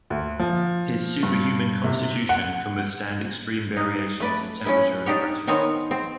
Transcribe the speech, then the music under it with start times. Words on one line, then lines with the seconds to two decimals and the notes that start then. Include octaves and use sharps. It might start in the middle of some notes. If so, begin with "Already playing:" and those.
His superhuman constitution can withstand extreme variations in temperature and pressure.
0.10 D2
0.39 F3
1.23 G2
1.84 C3
2.29 F#5
3.76 D#4
4.20 A3 B4 D5
4.65 C#4 E4 B4
5.06 D4 D#4 G4 C#5
5.47 D#3 B3 C4 C#5 G#5
5.91 C4